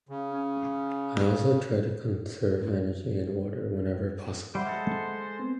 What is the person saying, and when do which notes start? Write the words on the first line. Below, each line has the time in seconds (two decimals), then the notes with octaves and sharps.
I also try to conserve energy and water whenever possible.
0.09 C#3
0.32 C#4
4.55 G3 C5 E5 F#5 B5
4.67 G#3 A4
5.39 B3 C4